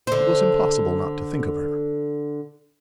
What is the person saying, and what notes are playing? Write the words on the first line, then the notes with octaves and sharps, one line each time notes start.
It was impossible not to think of her.
D3 C5